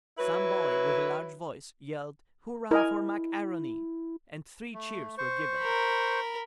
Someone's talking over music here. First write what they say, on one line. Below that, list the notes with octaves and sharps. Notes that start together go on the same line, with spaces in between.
Some boy with a large voice yelled, "Hurrah for Mac A'Rony!" and three cheers were given.
F#3 E4 B4
E4 A#4 D#5 G#5
A3
C5 C#6
A#4 B5